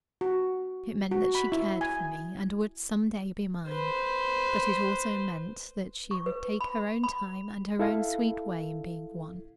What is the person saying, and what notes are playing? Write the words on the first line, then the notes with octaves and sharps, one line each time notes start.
It meant that she cared for me, and would, some day, be mine; but it also meant that she would take her own time and her own sweet way in being won.
F#4
F#4
B5
E4
G#5
B4 C5
C#6
B4
B5
B5
E4 A4 F5